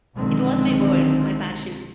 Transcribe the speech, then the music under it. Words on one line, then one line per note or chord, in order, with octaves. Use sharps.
It was my world, my passion.
B1 D3 D#3 F3 G#3 C4